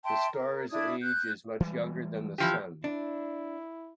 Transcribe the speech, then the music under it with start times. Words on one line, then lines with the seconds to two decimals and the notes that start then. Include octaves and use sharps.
The star’s age is much younger than the Sun.
0.04 E5 G5 A5 C6
0.31 A#4
0.70 D4 E4 D#6 G#6
1.01 F#6 G6
1.60 E3 G3 G#3
2.38 E3 F3 G4
2.84 D4 E4